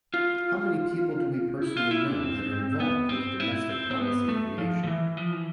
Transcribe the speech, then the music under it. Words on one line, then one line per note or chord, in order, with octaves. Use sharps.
How many people do we personally know that are involved with domestic policy creation?
F4
E4
F4
E4
D4
C4
B3
C4
E4
C4
C4
B3
A3
F3
F3
E3
F3
E3